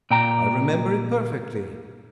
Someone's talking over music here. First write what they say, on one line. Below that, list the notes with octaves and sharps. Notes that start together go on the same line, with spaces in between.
"I remember it perfectly."
A#2 G5 A#5